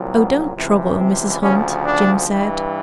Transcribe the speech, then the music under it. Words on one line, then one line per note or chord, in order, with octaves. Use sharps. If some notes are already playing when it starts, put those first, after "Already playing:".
"Oh, don't trouble, Mrs. Hunt," Jim said.
Already playing: C2 A#2 F#3
B3
C#2 C3 E3
C4
D2 C#3 F3 C#4
D4
G2 E3